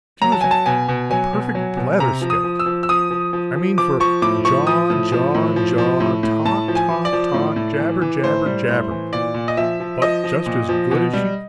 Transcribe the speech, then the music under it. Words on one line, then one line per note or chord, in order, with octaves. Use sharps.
She was a perfect blatherskite; I mean for jaw, jaw, jaw, talk, talk, talk, jabber, jabber, jabber; but just as good as she could be.
F#3 A#5
A5
F#3 G#5
A5
B2 G#5
B2
F#3 G#5
B2
F#3
B2
C3 A#5
F3
D#6
F3
E6
F3
E6
F3 D#6
F3
F3
F3
F3 D6
F3 C#6
A2 D6
F3 C#6
F3 D#6
A2
F3
A2
F3
F3
A2
A2
A2 A5
F3
G#5
F3
D5
F3
A2
A2
E3
E3
A2 C5
G3
A2
E3
A#2 D5
A#2
D#5
F3 E5
F3
F3 D#5
F3
A#2
F3
B2
G3